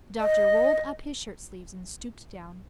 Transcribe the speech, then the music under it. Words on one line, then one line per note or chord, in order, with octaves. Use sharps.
The doctor rolled up his shirt sleeves and stooped down.
D#5